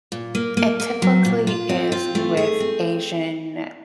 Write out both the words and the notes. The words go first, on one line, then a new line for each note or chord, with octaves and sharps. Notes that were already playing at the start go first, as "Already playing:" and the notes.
It typically is with Asian,
A#2
A#3
A#3
A#3
F#3
A#2
F4
C4
F4
A3
G#4
C4